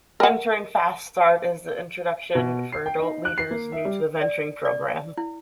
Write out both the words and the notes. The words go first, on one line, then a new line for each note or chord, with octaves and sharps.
Venturing Fast Start is the introduction for adult leaders new to the Venturing program.
A#4 F#5
B2
C7
G5
D#4
F#6
C7
A#3
E5
G3
D5
D5
E4